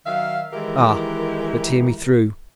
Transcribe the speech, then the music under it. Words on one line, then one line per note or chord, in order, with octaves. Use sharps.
Ah, but hear me through.
D#3 F#3 E5 F5
D#3 E3 G#3 E4 G4 A#4